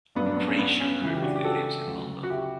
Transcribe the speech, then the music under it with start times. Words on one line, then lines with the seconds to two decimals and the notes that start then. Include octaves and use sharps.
Fraser currently lives in London.
0.15 G2 F#3 B3 D4
0.26 B3 D4
0.37 B3 D4
0.48 C#4
0.59 B3
0.80 C#4
1.01 C#2 C#3 E3
1.13 G4
1.22 D4 F#4
1.36 G4
1.44 F#4 A4
1.87 D2 C#3 F#3
2.24 F#4
2.30 E4 G4